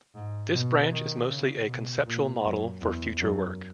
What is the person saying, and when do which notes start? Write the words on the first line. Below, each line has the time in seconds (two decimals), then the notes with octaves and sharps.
This branch is mostly a conceptual model for future work.
0.15 G#2
0.53 B2
0.92 D#3
1.30 C#3
1.68 B2
2.06 A#2
2.45 F#2
2.82 E2
3.21 F#2